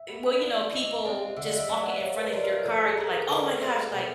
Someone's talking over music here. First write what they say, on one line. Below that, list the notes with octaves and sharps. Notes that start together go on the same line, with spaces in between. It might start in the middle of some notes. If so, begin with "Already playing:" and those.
eh, well, you know, people just walking in front of your car and you're like, "Oh my gosh," like,
Already playing: E5
B3
D4 F4
E3 D#5
G#3 C4 F4 D5
D3 E5
D#5
E5
F#3 B3 D4 D5
A#3 C#5
A#4
B4
D4 F4
A#4
F3 A4
G#4
A#3 D#4
A#4
D3 B4
G3 C4 F4 E5
B2